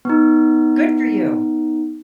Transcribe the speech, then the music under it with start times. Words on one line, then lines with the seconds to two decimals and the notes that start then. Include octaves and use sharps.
Good for you.
0.05 B3 D#4